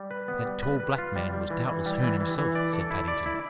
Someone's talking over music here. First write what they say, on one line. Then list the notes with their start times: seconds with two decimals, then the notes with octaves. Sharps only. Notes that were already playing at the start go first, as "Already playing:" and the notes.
"That tall black man was doubtless Herne himself." said Paddington.
Already playing: G3
0.11 B4
0.28 B3
0.45 G3
0.63 B4
0.80 B4
0.98 F4
1.16 G3
1.33 G3
1.50 E3
1.68 E3
1.86 G3
2.03 E3
2.20 E3
2.38 E3
2.55 D5
2.73 A4
2.91 E4
3.08 D5
3.26 E4